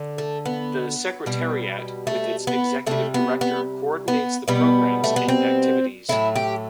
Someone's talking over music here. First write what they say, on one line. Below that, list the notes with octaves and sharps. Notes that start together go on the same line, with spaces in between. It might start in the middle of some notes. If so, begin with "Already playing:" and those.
The Secretariat, with its Executive Director coordinates the programs and activities.
Already playing: D3
A3
B3
B2 G3
A3
B3
C3 G3 A3
B3
B3
B3
B2 G3 B3
A3
B3
C4
A2 F#3 A3 E4
G4